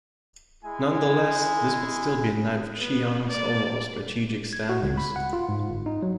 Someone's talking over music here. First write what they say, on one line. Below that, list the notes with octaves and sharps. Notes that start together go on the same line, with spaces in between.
Nonetheless, this would still be in line with Chiang's overall strategic standings.
G#3 E4 G#4 G#5
B3 B4
A#3 D5
G#6
F#4
C#2
B5
F#5
F4
G#2
G1
D#4
F#3